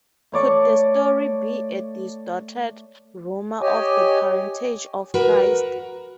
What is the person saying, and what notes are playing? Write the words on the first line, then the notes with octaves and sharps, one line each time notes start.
Could the story be a distorted rumor of the parentage of Christ?
A3 C#5 D5 C#6
G4 C#5 D#5 G#5
F#4 A#4 B4